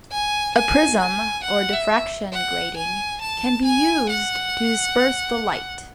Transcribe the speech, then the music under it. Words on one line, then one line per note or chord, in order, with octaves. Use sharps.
A prism or diffraction grating can be used to disperse the light.
G#5
G#5
G#5
F#5
E5
F#5
G#5
A5
G#5
F#5